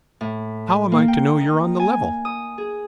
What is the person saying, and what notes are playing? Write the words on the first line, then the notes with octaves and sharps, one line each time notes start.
"How am I to know you're on the level?"
A2
A#3
G5
D#4
G#5
D#6
G#4